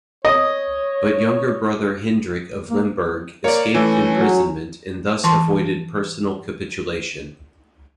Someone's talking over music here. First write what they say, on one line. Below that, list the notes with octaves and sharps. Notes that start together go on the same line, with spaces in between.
But younger brother Hendrik of Limburg escaped imprisonment and thus avoided personal capitulation.
C#5 D#5
A#3
A#3 C#5 D5
E3 A3 C#4
F#3
E3 A5 C6